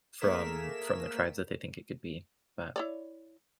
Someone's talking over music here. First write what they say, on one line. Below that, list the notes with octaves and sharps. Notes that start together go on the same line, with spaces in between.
from from the tribes that they think it could be, but
A3 A#3 G#4 A#4 B6 E7
E4 C#5 D5